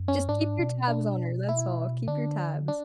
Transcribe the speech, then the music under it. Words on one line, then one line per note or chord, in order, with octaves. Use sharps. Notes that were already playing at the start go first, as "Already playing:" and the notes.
Just keep your tabs on her, that's all. Keep your tabs.
Already playing: F#2
C#4
G#2 D4
B2
D4
E4
D3 D4
D4